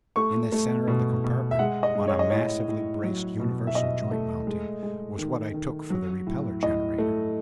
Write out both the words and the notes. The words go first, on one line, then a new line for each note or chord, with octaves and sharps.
In the center of the compartment, on a massively braced universal joint mounting, was what I took for the repellor generator.
A3 C#6
A3
B2
B2
E5
G#3 F#5
D#5
G#3
C#5
D#5
A2 C#5
A2
F#3
B2
E5
B2 D#5
A3
G#3
G#3
D#3
D#3
F#3
A2
A2 D#5
A3